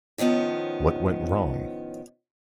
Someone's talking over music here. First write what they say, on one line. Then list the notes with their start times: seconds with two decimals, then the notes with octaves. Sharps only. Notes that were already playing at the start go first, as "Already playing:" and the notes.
What Went Wrong?
0.18 A2 D#3 F3 B3 C#4